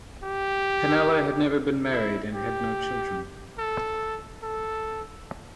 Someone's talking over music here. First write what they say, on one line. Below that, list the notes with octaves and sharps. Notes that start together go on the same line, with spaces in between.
Pannella had never been married and had no children.
G4
E4
G4
A4
A4